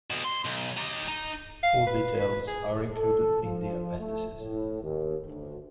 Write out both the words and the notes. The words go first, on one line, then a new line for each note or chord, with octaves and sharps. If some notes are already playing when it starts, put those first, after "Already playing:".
Full details are included in the appendices.
D2 B2
C6
B1
D#4 G4
D#4
F5
B4
B4
G#4
A4
F3
A3
A2
D#2
D2